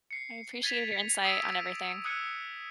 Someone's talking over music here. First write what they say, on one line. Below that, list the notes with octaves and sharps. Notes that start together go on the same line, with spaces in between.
I appreciate your insight on everything.
C7 C#7
G#6 A6 B6 D#7 F7
D#6 E6 B6 D7 D#7
D#6 E6 F#6 G#6 C#7 D#7